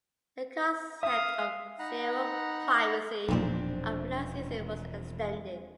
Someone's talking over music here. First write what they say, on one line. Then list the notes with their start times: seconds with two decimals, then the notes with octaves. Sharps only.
The concept of "Zero privacy" of last season was extended.
1.03 E5 F5 D#6
1.79 D#4 F#5 A#5 B5 F#6
3.28 E1 B1 A#2 F3 C4 D4